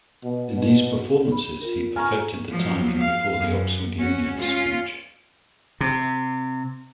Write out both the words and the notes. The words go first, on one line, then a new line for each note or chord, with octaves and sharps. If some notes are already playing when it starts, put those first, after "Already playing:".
In these performances he perfected the timing before the Oxford Union speech.
B2
B2
B5
F4 A#4
G#5 A#5 C#6 F6
F3 F#3
F5
F#2
C#4 F#4
C#4 F4
C3